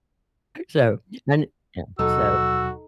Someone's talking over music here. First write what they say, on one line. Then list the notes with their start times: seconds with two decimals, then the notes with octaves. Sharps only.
so and Yeah, so
1.99 D#2 B2 F#3 D#4 F#4 A4 E6